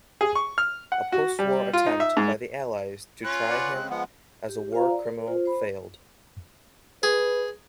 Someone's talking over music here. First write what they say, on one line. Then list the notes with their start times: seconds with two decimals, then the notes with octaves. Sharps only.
A post-war attempt by the Allies to try him as a war criminal failed.
0.21 G#4
0.35 C#6
0.58 F6
0.92 F#5
1.12 F#4
1.39 G3
1.73 F4
1.86 D#4
2.00 E5
2.17 G#2
3.24 C#4 F4 F#6
3.50 B4 D5 F#5
3.74 C#3 G#3 C4
3.90 F3 G#3 B3 F#5
4.49 G4
4.73 F4 C5 F5 A#5
4.90 D5
5.06 A#4
5.27 F4 C5
5.45 C5 B5
7.03 G#4 B4